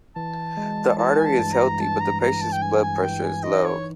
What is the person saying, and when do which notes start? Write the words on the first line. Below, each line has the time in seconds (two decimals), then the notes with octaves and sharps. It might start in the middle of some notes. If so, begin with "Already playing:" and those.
The artery is healthy but the patient's blood pressure is low.
0.16 E3 A5
0.57 G#3
0.98 E3 A5
1.18 G#5
1.25 A5
1.39 G2
1.53 A#5
1.80 G2 A5
2.01 A#5
2.21 E3 A#5
2.41 A5
2.52 G5
2.62 G2 G#5
2.83 G#5
3.03 E3 G5
3.24 G#5
3.43 D#4 D#5
3.65 C#5